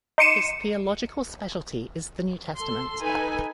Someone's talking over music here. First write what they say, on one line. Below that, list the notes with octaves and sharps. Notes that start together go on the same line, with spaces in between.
His theological specialty is the New Testament.
D#4 C6 D6 C#7 D#7 E7
A4 C6
D#4 A4 B4 G#5